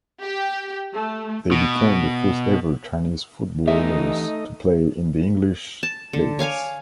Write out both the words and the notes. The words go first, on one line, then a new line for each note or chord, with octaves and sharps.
They became the first ever Chinese footballers to play in the English leagues.
G4
A3
B2
E3 A3 D#4 G4 D#5 E5
A5
D3
C#5 F5 G#5 D6